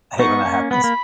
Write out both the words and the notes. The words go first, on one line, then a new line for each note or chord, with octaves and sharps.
I hate when that happens.
B3 D#4 C#6
A#3 C#4
B3 B5
A#3